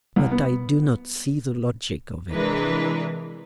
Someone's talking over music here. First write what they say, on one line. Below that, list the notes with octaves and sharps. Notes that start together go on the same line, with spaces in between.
But I do not see the logic of it.
C2
B3
C3 E3 G#3 D4 A#4 B4